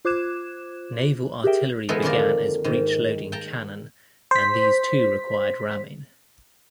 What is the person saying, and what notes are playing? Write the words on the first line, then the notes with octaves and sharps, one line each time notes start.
Naval artillery began as breech-loading cannon and these too required ramming.
F4 C5 D6 F#6 G#6 E7
G4 G#4 A#4 E5 G5
E3 G#3 B3 D#4 A4 A#4
F2 D3 D#3 A#3 A#4 D5
G#2 D#3
G5 A5 A#5
C5 B6